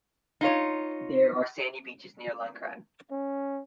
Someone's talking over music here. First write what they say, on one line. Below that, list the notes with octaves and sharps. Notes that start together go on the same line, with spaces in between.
There are sandy beaches near Lankaran.
D#4 F4 C#5
C#4